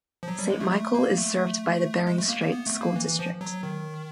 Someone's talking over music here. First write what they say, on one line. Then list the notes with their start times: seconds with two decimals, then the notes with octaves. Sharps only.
Saint Michael is served by the Bering Strait School District.
0.23 F3
0.28 F#3
0.39 G3
0.50 G#3
0.60 A3
0.72 A3
0.94 A#3
1.17 A3
2.07 G#3
2.18 A3
2.28 A#3
2.41 A#3
2.52 B3
2.66 A3
2.81 A#3
2.96 E3
3.07 E3
3.19 F3
3.41 F#3
3.63 D#3